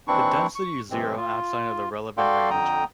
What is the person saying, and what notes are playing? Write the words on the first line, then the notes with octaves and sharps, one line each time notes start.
The density is zero outside of the relevant range.
D#2 E3 C4 D4 E4 C#6
C#6
F#2 C3 E3 G#3 C4
F4
F#4 A4 D5 F5 G5 C6
F2 D3 G5 A#5 D#6